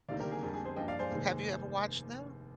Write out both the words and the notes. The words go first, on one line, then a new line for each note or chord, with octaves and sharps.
Mhm. Mhm have you ever watched them?
D2 C3 D#3 A#3 D5 F5
G4 A#4
G#4
F2 D3 G3 G#4
G#4
G#4 C5
G2 F3 A#3 D#5 G5
D5 F5
G#4 C5
F1 D#2 D#3 G#3